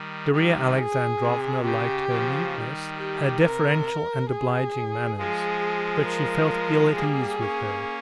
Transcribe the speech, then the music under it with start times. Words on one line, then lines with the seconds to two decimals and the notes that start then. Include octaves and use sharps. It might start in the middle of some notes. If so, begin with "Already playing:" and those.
Darya Alexandrovna liked her neatness, her deferential and obliging manners, but she felt ill at ease with her.
Already playing: D#3 G3
0.32 D#3 G3
0.77 G#4
1.21 C3
1.64 C#3 G4
2.09 C#3 F3
2.53 D#3 G3
2.97 G4
3.41 C3 A#4
4.30 G#4
5.18 F3 G#3 G#4
6.07 A#4
6.95 G3 A#3 G#4
7.39 A#3 C#4